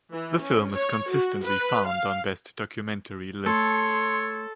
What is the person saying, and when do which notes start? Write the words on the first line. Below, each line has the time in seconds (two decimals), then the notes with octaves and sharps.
The film is consistently found on "best documentary" lists.
0.12 E3
0.40 C#4
0.72 C#5
1.10 F#4
1.42 B4
1.87 F5
3.46 A3 A4 C#5 C6